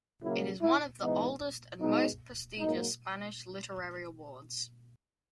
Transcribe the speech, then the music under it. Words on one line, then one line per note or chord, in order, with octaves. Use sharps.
It is one of the oldest and most prestigious Spanish literary awards.
C#3 F#3 A#3 E4
E4
G#2 E3 B3 D#4
B2 G#3 B3 D#4
G#2 F#3 A#3 D#4